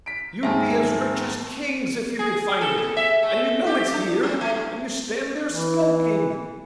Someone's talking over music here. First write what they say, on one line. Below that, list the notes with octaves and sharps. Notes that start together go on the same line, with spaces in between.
You'd be as rich as kings if you could find it, and you know it's here, and you stand there skulking.
B6 D7
D#2 G#2 E5 G#5 A5
G#4
A4
A#2
E5
A3
G4
D4
G3
A3
G2
E3